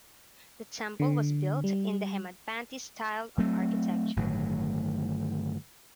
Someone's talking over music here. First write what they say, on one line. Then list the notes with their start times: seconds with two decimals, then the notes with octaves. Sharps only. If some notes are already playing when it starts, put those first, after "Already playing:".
The temple was built in the Hemadpanthi style of architecture.
1.00 D3
1.64 G3
3.38 F#3 A3 C4
4.16 G1 A2 D#3 F#3